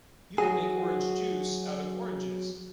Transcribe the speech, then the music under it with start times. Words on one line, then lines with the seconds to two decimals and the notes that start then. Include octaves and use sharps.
You can make orange juice out of oranges.
0.38 F#3 F#4 G#4